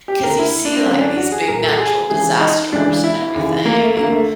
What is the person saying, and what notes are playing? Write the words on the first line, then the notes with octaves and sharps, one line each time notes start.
'cause you see, like these big natural disasters and everything and
G4
D2 D3 A#4
E4
D4
C4
D4
F#2 D3 C#4
D4
F#4
G#4
C2 A#2 A#4
A4
G#4
C#2 C#3 E3 G#4
D#4
C#2 C#3 E3 D4
E4
D#2 C#3 E3
A#3
A3
D2 D3 A#3
A3